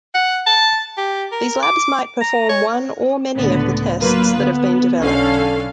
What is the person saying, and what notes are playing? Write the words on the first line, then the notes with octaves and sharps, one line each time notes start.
These labs might perform one or many of the tests that have been developed.
F#5
A5
G4
A#4
D6
A#5
C#5
C#2 A2 D3 B3
F#3 A#3 F4 B4
D3 B3
B1 D3 C#4 A4 F5